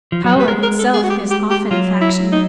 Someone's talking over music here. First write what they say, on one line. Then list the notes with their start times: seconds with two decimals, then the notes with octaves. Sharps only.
Power itself is often a faction.
0.12 F3
0.24 F#3
0.36 G3 B4
0.47 G#3 A#4
0.63 A#4
0.79 A4
0.94 G#4
1.03 F#4
1.10 G4
1.31 G4
1.50 G4
1.70 F#3 F4
2.01 E4
2.32 D#4